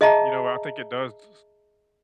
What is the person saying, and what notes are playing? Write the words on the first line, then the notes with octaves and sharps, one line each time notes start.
you know, I think it does s
G#4 D#5 E5 A5 A#5